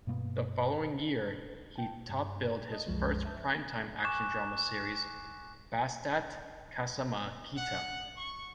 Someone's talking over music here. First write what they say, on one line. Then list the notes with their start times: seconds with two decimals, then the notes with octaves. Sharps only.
The following year, he topbilled his first primetime action-drama series, Basta't Kasama Kita.
0.07 G2 B2 A#3 B3
1.76 G5 A5
2.09 G2
2.69 D#5 A5
2.87 C2 F#2 F3 G#3
3.25 E5 A5 G6
4.04 G#5 C#6 D6 F#6 E7
7.57 F#5
8.17 C#6